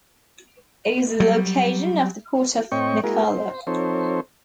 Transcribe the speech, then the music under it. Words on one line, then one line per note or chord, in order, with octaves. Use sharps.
It is the location of the Port of Nacala.
F#3 G3
A2 C4 C#5 D#5 G5 C#6
G#3 A#3 E4 F#4 G#4 A#4
C5
F3 C4 D#4 A4 C5 C#5